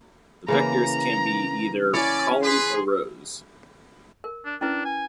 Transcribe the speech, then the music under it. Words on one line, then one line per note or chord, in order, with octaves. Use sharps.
The vectors can be either columns or rows.
C#3 E3 A#3 A#5
C#4 E4 C#5 D5
G#4 B4 C6
A#4
D4
C#4 D4 E4 B4
G#5